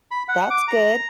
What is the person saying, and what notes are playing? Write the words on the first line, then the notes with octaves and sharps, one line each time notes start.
That's good.
B5
F#5
D6
A#5